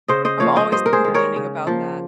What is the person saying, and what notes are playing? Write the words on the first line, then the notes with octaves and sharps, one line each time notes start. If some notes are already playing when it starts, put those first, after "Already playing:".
I'm always complaining about that.
C#3 C5 D#5
C5 D#5
F3 A#3 C#5 F5
C5 D#5
G2 C5 D#5
A#4
G#4 C5
D#3 G#3
A#4 C#5
C#3
F3 A#3